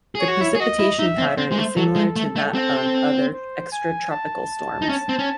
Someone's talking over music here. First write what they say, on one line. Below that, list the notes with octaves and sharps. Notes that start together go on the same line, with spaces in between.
The precipitation pattern is similar to that of other extratropical storms.
G#4
C#5
F#4
E4
G#4
F#4 D#5
E4
D#4 E5
C4
C4 C5
G#3
A3
F#3 A4
G#3
A3
A3
C4
C5
G#5
A5
D#4
C#4
C4
C#4